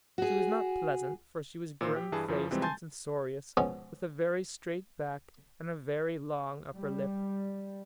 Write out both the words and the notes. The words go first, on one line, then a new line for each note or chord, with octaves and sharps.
She was not pleasant, for she was grim-faced and censorious, with a very straight back, and a very long upper lip.
F#4 G#4
A#2 E3 C5 E6
G4
G2 E3 G#4 A5
F#2 E3 F3
C3 E3 F3 G3 G#3 C4
G#5 A5 C6 G6 A6
B2 F3 G#3 B3 C#4
G3